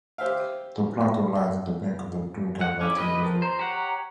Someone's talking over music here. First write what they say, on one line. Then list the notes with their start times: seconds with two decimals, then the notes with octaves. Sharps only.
The plateau lies at the bank of the Durgavati River.
0.18 G4 C5 E5 F5
2.61 F#5
2.81 C#4 E4 D6
2.97 G4 B4 D#5 D#6
3.23 F3 A#4
3.42 C5 A#5
3.59 G4 C#5 F#5